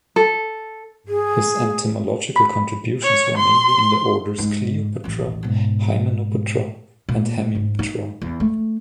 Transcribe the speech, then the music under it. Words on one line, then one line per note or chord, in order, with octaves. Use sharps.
His entomological contributions were mainly in the orders Coleoptera, Hymenoptera and Hemiptera.
A4
G#4
B5
C#5
C6
G#2
A1 D#2
G#2 B2
A#2
G#2
D#4
E2
A3